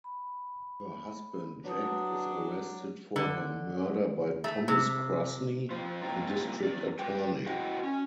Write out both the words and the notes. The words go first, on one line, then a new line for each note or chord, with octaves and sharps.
Her husband Jack is arrested for her murder by Thomas Krasny, a district attorney.
B5
F#3 D4 B4 A5 D#6
D3
A3
C3
F2 F4 C5
G3 A#3 C4 D#4 F4
E2 D5
G3 G4 B4 G5
A2 F#4 D#5 F#5 G5
C#4